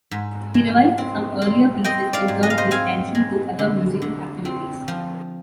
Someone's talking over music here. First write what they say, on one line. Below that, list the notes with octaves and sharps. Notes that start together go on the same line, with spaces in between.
He revised some earlier pieces, and turned his attention to other musical activities.
G#2
G#3
C4
C4
C4 D#5 G5
D5 F5
G#2
D#5
F5
C5 D#5
C4 F5 G#5
G#3
D3
D3
C4
F3